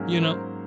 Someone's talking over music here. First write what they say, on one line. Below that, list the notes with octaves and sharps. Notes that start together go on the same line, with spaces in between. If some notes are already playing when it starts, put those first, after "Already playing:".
You know?
Already playing: G#2 F#3 A#3 C#4 G#4
A#4
C5
A#4